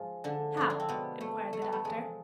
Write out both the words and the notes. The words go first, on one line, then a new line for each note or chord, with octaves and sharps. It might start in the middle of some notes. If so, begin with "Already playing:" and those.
'How?' inquired the doctor.
Already playing: G#2 F3 G#3 F4 G#4
D3 D4
G#2 F3 E4
D4
C4
B2 B3
A3
A3
B3
A3
E2 C3 F3 G#3